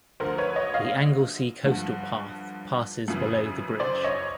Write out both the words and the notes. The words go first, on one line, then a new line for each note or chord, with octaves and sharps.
The Anglesey Coastal Path passes below the bridge.
D2 D3 F3 A#4 C5
B4 C#5
C#5 D#5
D#5 F5
G2 D3 F3
F#2 C#3 E3
C5 D5
C#5 D#5